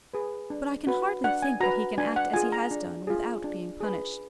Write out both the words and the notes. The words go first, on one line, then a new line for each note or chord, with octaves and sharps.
"But I can hardly think that he can act as he has done without being punished."
G#4 B4
D4
F#4 B4
D4 F#5
G#5
F#4 B4 A#5
D4 G#5
F#5
F4 G#4 G#5
A#5
D4
F4 G#4
D4
G#4 B4